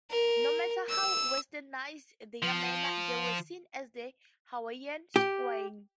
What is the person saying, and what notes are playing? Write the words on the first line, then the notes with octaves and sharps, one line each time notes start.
No matter how Westernized their manners, they were seen as a Hawaiian squaw.
A#4
E6
F3
G4